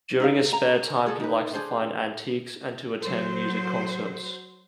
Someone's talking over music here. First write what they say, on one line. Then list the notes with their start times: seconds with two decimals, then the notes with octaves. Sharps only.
During his spare time he likes to find antiques and to attend music concerts.
0.20 D#4 A#4 F5
0.53 A#5
1.06 G#4 A4
1.20 D#4 B4
1.53 D4 G#4 A4 C5
3.02 F#3 C5